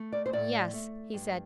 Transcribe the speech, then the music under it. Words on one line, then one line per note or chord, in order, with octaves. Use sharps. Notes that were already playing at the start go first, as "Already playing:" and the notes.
"Yes," he said.
Already playing: A3
D5
C5
A2 D5
A3
G2